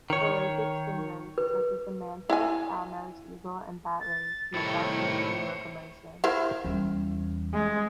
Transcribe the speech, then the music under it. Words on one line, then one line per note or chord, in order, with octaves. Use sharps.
Pelagic stingrays, such as the manta, cownose, eagle and bat rays use oscillatory locomotion.
D#3 C#5
B4
E4 G5 G#5
A6
C2 A2 D#3 E4 C5 C#5 C#7
E4 A#4 C5
E2 G3 C#4
G#3